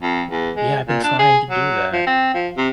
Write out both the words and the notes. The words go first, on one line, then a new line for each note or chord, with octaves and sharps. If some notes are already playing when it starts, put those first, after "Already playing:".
Yeah, I've been trying to do that.
F2
E2
G#3
A#2
D4
G#4
F#3
F3
C4
F3
C3